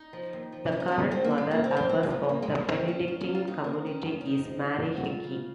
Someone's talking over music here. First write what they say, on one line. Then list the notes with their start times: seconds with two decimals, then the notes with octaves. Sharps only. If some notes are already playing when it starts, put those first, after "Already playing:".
The current Mother Abbess of the Benedictine Community is Marie Hickey.
Already playing: D#4
0.13 F3
0.33 D#2
0.52 F3
0.72 F3 C#4
0.80 D#4
0.88 F3 C#4
1.11 F#3 C4
1.24 A#3
1.31 F#2
1.38 G#3
1.51 C#3 A#3
1.64 C4
1.71 F#2
1.77 C4
1.89 G#2 C4
2.03 A#3
2.10 F3
2.29 G#2 A#3
2.42 G#3
2.49 G#2
2.56 A#3
2.68 C#3 C4
2.88 D#2 C#4
3.07 D#2 F4
3.21 C#4
3.27 D#2
3.35 F4
3.47 D#3 D#4
3.64 G#2 A#3
3.73 C4
3.86 D#3 C#4
4.06 D#3
4.21 C#4
4.25 F3 D#4
4.45 F3
4.65 G#2
4.85 F3
4.97 F#4
5.04 F#3 F4
5.24 C#3